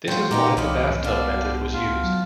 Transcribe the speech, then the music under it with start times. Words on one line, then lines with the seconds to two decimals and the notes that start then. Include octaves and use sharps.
This is why the Bathtub method was used.
0.08 F#3 F4 C5 G5
0.31 A#2 B3 D#4 F4 G4 A#5 D6
0.57 C2 E3 A3 C#4 G4 D#5 F5
1.04 B2 D5 F5
1.73 C#2 F4 F5
2.04 F#3